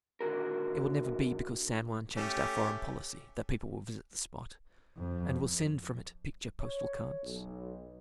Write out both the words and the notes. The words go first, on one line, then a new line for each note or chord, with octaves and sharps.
It will never be because San Juan changed our foreign policy that people will visit the spot, and will send from it picture postal cards.
A#2 D3 D#3 F#4 A#4
A3 C#4 G4
F2
C#5
B1